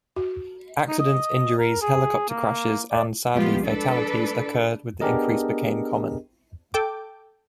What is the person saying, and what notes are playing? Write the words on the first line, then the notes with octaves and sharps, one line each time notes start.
Accidents, injuries, helicopter crashes and, sadly, fatalities occurred with increasedbecame common.
F#4
D#4
D#5
A#4
G#4
A#3
D5
F3 G3 G#3 B3 F4 G4
D4 A4 B4 D5
B3 D4 G4 G#4 A#4 D#5
A4 G5 D6